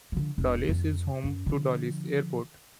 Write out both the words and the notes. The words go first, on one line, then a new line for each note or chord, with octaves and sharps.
Dolise is home to Dolisie Airport.
D3 F3
E1
F2
F#2
D3 F3